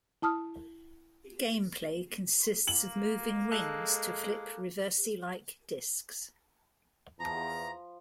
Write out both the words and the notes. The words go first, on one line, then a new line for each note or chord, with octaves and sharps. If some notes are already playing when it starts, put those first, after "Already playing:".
Gameplay consists of moving rings to flip Reversi-like discs.
E4 A5 D#6 F6
A#3 F#7
G#3 A4 F#6
E2 F3 A#5